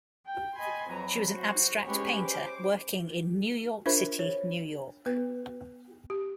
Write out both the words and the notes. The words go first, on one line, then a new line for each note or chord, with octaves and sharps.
She was an abstract painter, working in New York City, New York.
G5
D#5 G#5 B5 C6
F2 F#3 B4 A#5
F#4 C5
G#3 C#4 G4 B4 C#5 G#5
C5 D6
D4 F4 A#4 C5 E5 B5
C#5
B3 B4
G4